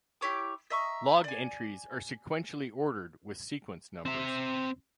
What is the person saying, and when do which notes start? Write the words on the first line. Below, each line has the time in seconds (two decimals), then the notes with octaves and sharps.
Log entries are sequentially ordered with Sequence Numbers.
0.21 E4 G4 C#5 D6
0.70 D#5 E5 A#5 C#6
1.24 D5 G#5
4.06 C4 E5